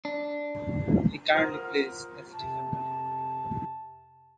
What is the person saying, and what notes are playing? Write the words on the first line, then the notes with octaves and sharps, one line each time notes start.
He currently plays as a defender.
D4
F4 A#4 C5 F#5 D#6 F6
F2 C3 A5